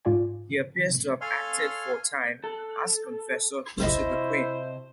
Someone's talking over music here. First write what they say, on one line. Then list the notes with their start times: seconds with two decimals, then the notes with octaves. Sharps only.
He appears to have acted for a time as confessor to the queen.
0.05 G#2 F4 D5 G#5
1.21 A4 C#5 F5 G#5 C6 F6
2.44 A4
3.80 C3 E4 C5 D#5